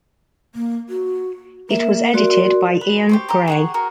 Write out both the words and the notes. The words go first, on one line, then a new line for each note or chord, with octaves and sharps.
It was edited by Ian Gray.
A#3
F#4
A#3 A#4 E5
F#4 D5 C6
B4
G4 C5 C#6
G4 A#5 D6
G#4 F#5 C#6
F#4 G#4 A#4